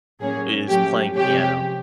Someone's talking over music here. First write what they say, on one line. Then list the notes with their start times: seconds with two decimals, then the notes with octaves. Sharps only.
is playing piano.
0.20 A2 F#3 A#3 C#4 G#4
0.69 A2 F#3 A3 C#4 G4
1.16 C3 F3 G#3 C#4 G4